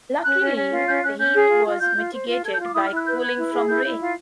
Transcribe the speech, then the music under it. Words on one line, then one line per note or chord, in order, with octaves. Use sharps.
Luckily, the heat was mitigated by cooling from rain.
C#4 F#6
C#4
C#4
F4
C#4 G6
C#4 F#6
C#4 G6
G#4
F4
F4
F4 G6
F4
C5
F4
A4 G#6
G6
F4
D6
E4 D#6
F6
E4 F#6
B4 G6
B4 G#6
E4
G#4
E4 G6
E4
F4